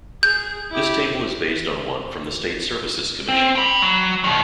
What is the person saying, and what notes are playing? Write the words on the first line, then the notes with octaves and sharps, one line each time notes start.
This table is based on one from the State Services Commission.
G#4 G6
E4 G4
C4
G5 B5
F#3
B2 D#3